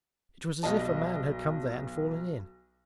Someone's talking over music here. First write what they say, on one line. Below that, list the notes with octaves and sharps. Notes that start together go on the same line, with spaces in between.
It was as if a man had come there and fallen in.
B1 G3 D#5 A5